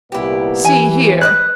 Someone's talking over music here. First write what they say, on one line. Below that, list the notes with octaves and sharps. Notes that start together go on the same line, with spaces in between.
"See here."
C2 A#2 B3 E4 G4
E3 G#5
B4 D5 D#5 F#6